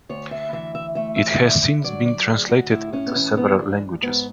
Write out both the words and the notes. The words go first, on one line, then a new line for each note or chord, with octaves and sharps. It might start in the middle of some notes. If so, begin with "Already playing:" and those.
It has since been translated into several languages.
D2 C#5
E5
E3 E5
E5
A3 E5
E5
D3 E5
F#3 D5
D5
D2 G#4
F#4
A2 E4
C#4
B3
E3 C#4
B3
G#2 D4
G#2 B3